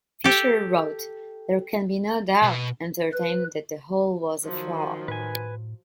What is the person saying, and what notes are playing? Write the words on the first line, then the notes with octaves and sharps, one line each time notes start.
Fisher wrote: "There can be no doubt entertained that the whole was a fraud.".
G4 A4
B2
B4
D#3 F3 F#3
A2 B4 G#5